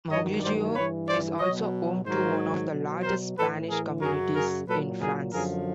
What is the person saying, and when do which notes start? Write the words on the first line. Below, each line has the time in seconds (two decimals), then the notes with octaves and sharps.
Mauguio is also home to one of the largest Spanish communities in France.
0.09 G2 D#3 F#3 C#5 D#5
0.42 C5 D5
0.74 G2 E3 B4 C#5
1.07 C5 D5
1.39 B2 F#3 C#5 D#5
2.05 G#2 D#3 F#3 A#4 C5
2.71 B2 F#3
3.03 A#4 C5
3.36 A2 E3 A4 B4
3.69 G#4 A#4
4.01 F#2 C#3 F#3 G#4 A#4
4.34 G#4 A#4
4.66 A#2 F#3 A4 B4
5.00 G#4 A#4
5.32 F#2 D3 F3 G#4 A#4